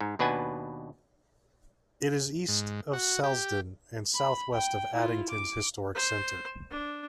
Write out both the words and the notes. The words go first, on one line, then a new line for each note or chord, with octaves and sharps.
It is east of Selsdon, and south-west of Addington's historic centre.
G#2
D#2 B2 D4 B4 F#5 G#5
G#2
F#4
G4
B5
G5
E4 F4
D6
C5
D4